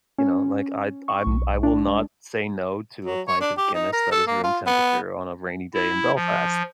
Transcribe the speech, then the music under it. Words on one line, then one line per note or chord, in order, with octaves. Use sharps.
you know, like, I I'm I will not say "no" to a pint of Guinness that is room temperature on a rainy day in Belfast.
C#4
C#6
B1
D4
G#3
F#3
C#5
D4
G4
D#4
A#4
A4
A#3
F4
B3
E4
F3